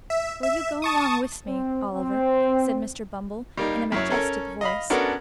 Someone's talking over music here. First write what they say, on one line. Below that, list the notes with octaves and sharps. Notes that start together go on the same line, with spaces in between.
'Will you go along with me, Oliver?' said Mr. Bumble, in a majestic voice.
E5
E5
A5 C#6 D#6
C4
C4
G3 A#3 D#4
F#2 E4 C#5
C#4 A4 A#4 C#5
D#5 F5 B5
B3 C#4 D4 F#4 A4 A#4